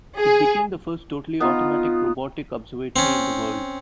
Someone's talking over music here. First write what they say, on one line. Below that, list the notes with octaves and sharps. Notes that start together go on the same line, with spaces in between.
It became the first totally automatic robotic observatory in the world.
G#4
B3 D#4 F4
C4 C#4